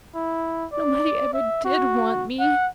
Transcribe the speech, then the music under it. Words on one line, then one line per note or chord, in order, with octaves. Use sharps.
Nobody ever did want me.
E4
D5
E5
F#4
F#5